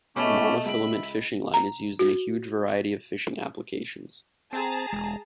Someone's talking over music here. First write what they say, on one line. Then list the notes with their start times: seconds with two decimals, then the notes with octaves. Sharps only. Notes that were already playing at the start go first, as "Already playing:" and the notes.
Monofilament fishing line is used in a huge variety of fishing applications.
0.16 B2 G#3 A3 C#4 B5 D6
0.66 C#2 E5 B5 D7
1.54 A#5
1.99 F#4
4.53 C4 G#4 A5 A#5
4.92 E1 G#3